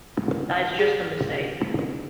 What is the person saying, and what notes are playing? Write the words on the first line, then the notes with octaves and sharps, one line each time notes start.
That is just the mistake.
G#4